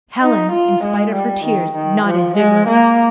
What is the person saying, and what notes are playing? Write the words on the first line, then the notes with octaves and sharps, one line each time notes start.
Helen, in spite of her tears, nodded vigorously.
D#4
F4
G#3
G3
D#3
D#3
F3
G#3
A#3